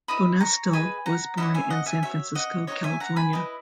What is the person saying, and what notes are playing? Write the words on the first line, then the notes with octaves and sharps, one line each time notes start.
Bonestell was born in San Francisco, California.
E4 B4 D#5 B5 D#6
A#5 C#6
G#4 B4 D#5 G#5 B5
F#5 A#5
E4 A#4 C#5 D#5 F#5
E5 G#5
D#5 F#5
E5 G#5
F#4 C#5 E5
D#5 F#5
D#4 F#4 C#5 D#5 F#5
E5 G#5
F#5 A#5
G#5 B5
E4 B4 D#5